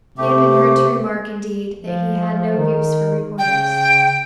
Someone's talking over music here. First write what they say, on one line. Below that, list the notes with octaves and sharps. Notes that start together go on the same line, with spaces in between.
He had been heard to remark, indeed, that he had no use for reporters.
C3 A3 G4
F3
D#3
C#3 G5